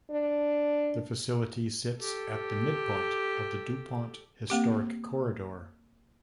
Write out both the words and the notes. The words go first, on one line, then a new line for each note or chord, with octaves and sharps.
The facility sits at the midpoint of the DuPont Historic Corridor.
D4
G4 A4
A#3 C4 G4